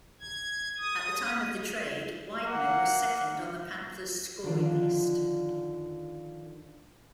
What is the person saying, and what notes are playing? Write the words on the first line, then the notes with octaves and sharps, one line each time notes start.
At the time of the trade, Wideman was second on the Panthers' scoring list.
G#6
D#6
A#3 F#5
D3 D#3 F3 D4 F4 D5